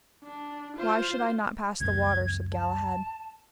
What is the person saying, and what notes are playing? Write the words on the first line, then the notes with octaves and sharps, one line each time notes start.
Why should I not pass the water? said Galahad.
D4
F4 C5
C#2 F#2 G#6
A5